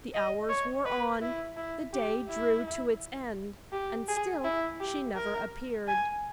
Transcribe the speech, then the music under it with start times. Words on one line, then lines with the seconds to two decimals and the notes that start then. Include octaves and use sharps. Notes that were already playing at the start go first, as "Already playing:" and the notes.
The hours wore on; the day drew to its end--and still she never appeared.
0.14 D#5
0.49 C#5
0.85 B4
1.21 E4
1.57 E4
1.93 G4
2.29 E4
3.72 G4
4.08 G#4
4.45 E4
4.80 G4
5.16 A#4
5.88 G#5